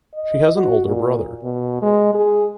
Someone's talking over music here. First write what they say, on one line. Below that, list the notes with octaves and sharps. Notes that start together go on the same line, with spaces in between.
She has an older brother.
D#5
F#4
A#2
B2
G#3
G#4